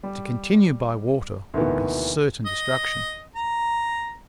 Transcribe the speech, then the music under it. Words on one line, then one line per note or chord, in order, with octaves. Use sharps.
To continue by water would be certain destruction.
G3
D2 B2 D#3 E3 A#3 B3
D#5
A#5